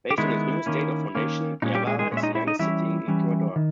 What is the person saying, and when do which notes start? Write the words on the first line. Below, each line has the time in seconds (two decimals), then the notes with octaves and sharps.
Based on its newest date of foundation, Ibarra is the youngest city in Ecuador.
0.11 G4
0.18 D#3 G#3 B3 E4
0.66 D#3 A#3 C#4
1.15 D#3 A#3 C#4
1.62 A#2 G#3 C#4 D#4
1.75 G3 G4
1.87 G#3 G#4
1.99 G#3 G#4
2.11 A#2 G#3 C#4
2.17 E5
2.23 D#4 D#5
2.35 E4 E5
2.47 D#4 D#5
2.59 E3 G3 C#4 E4 E5
3.08 E3 G3 C#4
3.56 D#3